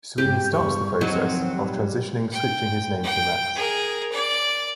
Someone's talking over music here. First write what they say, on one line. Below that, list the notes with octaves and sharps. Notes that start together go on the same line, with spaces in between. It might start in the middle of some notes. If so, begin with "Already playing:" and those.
Sweeney starts the process of transitioning switching his name to Max.
G1 G#2 B2 G4 G6
E2 G2 G3 C#6
D#3 F3 F#3 C4 D#4 F#5
A#2 G3
G5
G5
G#4 A#4
D5